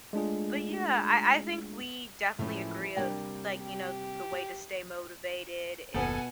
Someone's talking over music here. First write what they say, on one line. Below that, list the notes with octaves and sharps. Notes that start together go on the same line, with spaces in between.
but, yeah, I I think we definitely agree of, like, you know, the way to stay motivated is
G#3 A3 D4 F4 G#4
A2 E3 F3 G#3 C#4
C3 G3 A#3 D4 G5
G4
G5
F#1 D#2 B2 B3 A4 F#5 G#5